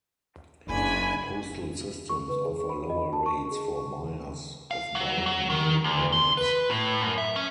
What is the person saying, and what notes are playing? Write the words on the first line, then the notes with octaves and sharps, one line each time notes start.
Postal systems offer lower rates for buyers of bulk mail permits.
F#1 D4 G#5 B5
C#6
B4
G#4
B5
D#5
A5
C#6
G#4
F5
F#3
F#3
D#3
D2
C6
B4
A2
F#2
E5
C#4